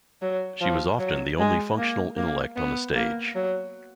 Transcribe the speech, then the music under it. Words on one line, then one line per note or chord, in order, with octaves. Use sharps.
She was often the only functional intellect on the stage.
F#3
F3
F#3
G#3
A#3
A#3
B3
A#3
F#3